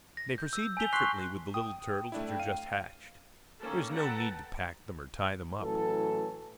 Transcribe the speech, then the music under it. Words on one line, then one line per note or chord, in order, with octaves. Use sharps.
They proceed differently with the little turtles which are just hatched. There is no need to pack them or tie them up.
A#6
G6
E6
G#5 A5 G6 B6 F7 G7
C6 C#6 F#6 B6 C7 G7
G5 D#6
A3 D4 E4
F5 D#7
D#3 A#3 C#4 A4
A4 B4 F#5 G5 A5 A#5
A2 E3 F#3 C#4 A4